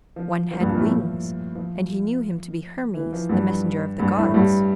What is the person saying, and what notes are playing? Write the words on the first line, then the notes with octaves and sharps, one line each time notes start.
One had wings, and he knew him to be Hermes, the messenger of the gods.
F3
F3
G2 G3
A#2 A#3
A2 A3
F3
F3
E3
F3
G2 G3
G2 G3
A2 A3
G2 G3